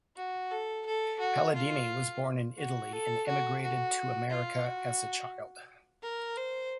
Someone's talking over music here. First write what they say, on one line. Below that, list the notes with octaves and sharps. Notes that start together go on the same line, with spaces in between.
Palladini was born in Italy and emigrated to America as a child.
F#4
A4
A4
F#4
F4
F#4
A4
F#4
F#4
F4
F#4
A#4
C5